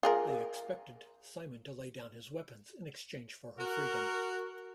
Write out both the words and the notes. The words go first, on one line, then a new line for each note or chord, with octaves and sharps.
They expected Simon to lay down his weapons in exchange for her freedom.
F4 G#4 A#4
F#4 A#4